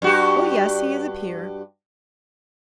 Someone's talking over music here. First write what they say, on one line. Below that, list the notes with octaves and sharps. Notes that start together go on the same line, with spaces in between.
"Oh, yes, he is a peer."
G2 F#4 G4